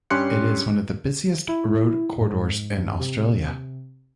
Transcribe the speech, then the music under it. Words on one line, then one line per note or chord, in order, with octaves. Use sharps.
It is one of the busiest road corridors in Australia.
G2 C#4 G4 C6 F#6 C#7
E4
G#2
G2
C3